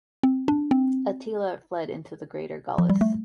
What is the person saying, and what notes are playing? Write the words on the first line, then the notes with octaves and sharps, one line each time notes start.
Attila fled into the greater Gauls.
C4
D4
C4
F3
G3
A3